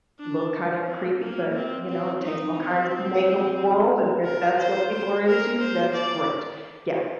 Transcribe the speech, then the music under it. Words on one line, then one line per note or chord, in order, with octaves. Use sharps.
look kinda creepy, but, you know, it takes all kinds to make a world, and if that's what people are into, that's great, yeah,
D4
C4
A#3
C4
C4
D#4
C4
A#4
C5
C5
A#4
C5
D5